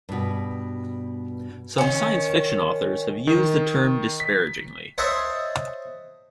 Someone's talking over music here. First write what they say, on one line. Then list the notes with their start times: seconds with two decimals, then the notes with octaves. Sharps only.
Some science fiction authors have used the term disparagingly.
0.09 G2 B2
1.78 D#3 C#4
3.27 D#3
4.20 B6
4.98 C5 C#5 D#5 E5 F#5 A5